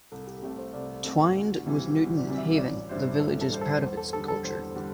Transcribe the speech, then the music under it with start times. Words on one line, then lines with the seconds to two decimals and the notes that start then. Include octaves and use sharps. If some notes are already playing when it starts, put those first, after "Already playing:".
Twinned with Newton Haven the village is proud of its culture.
0.12 C2 A4
0.27 G4
0.42 C3 A3 G4
0.51 A4
0.58 C5
0.74 C2 D5
1.05 C3 A3
1.35 D2
1.66 C3 E3 G3
1.97 D2
2.18 D5
2.28 C3 E3 G3
2.38 E5
2.58 A1 D5
2.89 G2 G3 E4 C5
3.20 A1 A4
3.41 A4
3.52 G2 G3 E4 C5
3.61 A4
3.82 E2 C5
3.97 A4
4.13 D3 G3 A4
4.28 A4
4.44 E2 C5
4.75 D3 G3